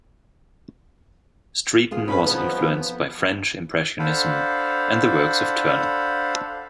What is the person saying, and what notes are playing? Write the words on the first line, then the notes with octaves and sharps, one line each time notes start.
Streeton was influenced by French Impressionism and the works of Turner.
B3 F4 G#4
F2 B2 C#4 B4 B5
F3 B3 D#4 C#5
F2
D4 A4 C5 F5 F#5 B5